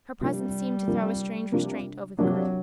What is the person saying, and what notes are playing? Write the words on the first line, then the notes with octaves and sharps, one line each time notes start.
Her presence seemed to throw a strange restraint over the group.
C3 F3 G3 A#3 D4
C3 F3 A#3 D4
C3 F3 A#3 D4
C3 F3 F#3 A#3 D4